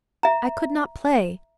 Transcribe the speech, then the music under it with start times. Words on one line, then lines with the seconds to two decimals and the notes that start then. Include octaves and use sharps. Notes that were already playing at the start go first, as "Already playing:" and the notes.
I could not play.
0.23 E5 A#5